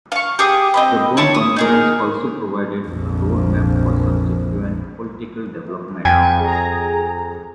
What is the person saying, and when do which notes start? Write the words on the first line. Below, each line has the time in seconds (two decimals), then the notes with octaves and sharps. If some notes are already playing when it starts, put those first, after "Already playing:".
The Bonn Conference also provided a roadmap for subsequent political developments.
0.12 F5 C#6
0.39 G4 G#4 D#6
0.74 C4 D#5 B5
1.17 E4 C#5 A5 B5
1.35 D#6
1.56 D#4 G#4 A#4
2.88 A#1 F2
6.05 F2 G5 G#5 G#6
6.40 G#4 A#5